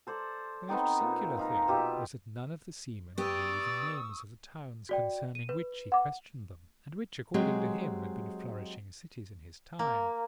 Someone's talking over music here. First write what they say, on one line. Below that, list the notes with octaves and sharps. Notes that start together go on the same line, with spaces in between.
The most singular thing was that none of the seamen knew the names of the towns concerning which he questioned them, and which, according to him, had been flourishing cities in his time.
A4 C5 D5
B3 C4 D#4 G5
A#2
F3 D#4 A#4
B2 F4 G4 E5
B3 G4 D5 C#6 D#6 E6
F#4 D5 G5
D#7
B4
F#5 D6
F#3 G#3 C4 G4 G#4
A#3